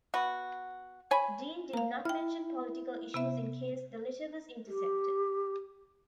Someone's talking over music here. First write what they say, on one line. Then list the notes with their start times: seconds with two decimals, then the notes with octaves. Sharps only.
Deane did not mention political issues in case the letter was intercepted.
0.14 B3 F#4
1.11 C#5 G#5 B5
1.73 A#3 F5 A#5
2.05 E4 G5 F6
3.14 C3 B3 E5
4.68 G4